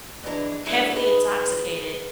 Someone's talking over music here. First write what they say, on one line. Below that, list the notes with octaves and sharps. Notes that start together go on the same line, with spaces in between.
heavily intoxicated,
F#2 A#2 E3 G#3 D4 A#5
F#3 G#3 A3 C#4 D4 E4
D#4 G#4 B4 G5